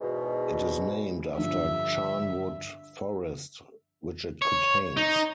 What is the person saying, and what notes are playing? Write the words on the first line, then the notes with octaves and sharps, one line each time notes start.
It is named after Charnwood Forest, which it contains.
E2 G#2 B2
G2 D3 F3 E5
C#5
D#4